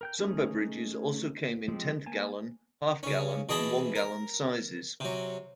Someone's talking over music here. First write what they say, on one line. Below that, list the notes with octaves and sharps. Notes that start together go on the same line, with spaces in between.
Some beverages also came in tenth-gallon, half-gallon and one-gallon sizes.
A#4 G5 G6
A3 C#4 D#4 G#4 A#4
F3 G#3 C4 G4
A#3 G#5 A5
C#3 C#4
B2 E3 G#4 D#5 A5 B5
A#4
C3 F#3